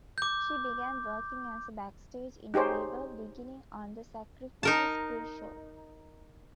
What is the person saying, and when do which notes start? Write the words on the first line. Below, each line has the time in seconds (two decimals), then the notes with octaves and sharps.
She began working as a backstage interviewer beginning on the Sacrifice pre-show.
0.18 D6 G6
2.54 D#4 G4 G#4 C5 C#5
4.63 D#4 A#4 A5